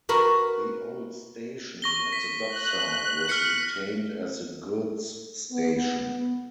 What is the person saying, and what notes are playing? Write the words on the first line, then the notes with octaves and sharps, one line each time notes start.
The old station at the dockside was retained as the goods station.
F#4 A#4 B4
C#6 A#6 G7
B6
F#6
F6 B6 C#7
B3